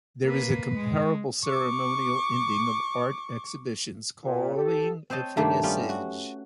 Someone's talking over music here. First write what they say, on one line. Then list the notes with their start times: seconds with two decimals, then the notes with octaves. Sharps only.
There is a comparable ceremonial ending of art exhibitions, called a "finissage".
0.25 A#3 B4
0.76 G#3
1.44 C#6 D6
4.24 A#2
4.56 G4 A4
5.10 C4 C5 C#5 D#5 A5
5.37 G2 D#3 G3 A3 A#3
5.63 G3 B3 C#4 F4
5.89 F#4